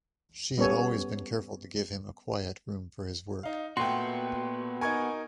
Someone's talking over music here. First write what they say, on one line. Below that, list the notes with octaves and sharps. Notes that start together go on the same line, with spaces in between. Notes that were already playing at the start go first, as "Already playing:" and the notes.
She had always been careful to give him a quiet room for his work.
G3 B3 C#4 A4 C#5 G#5
D#4 F5
A#2 A3 B3 F#4 G5 C6
D#4 A#4 G#5 C#6 G#6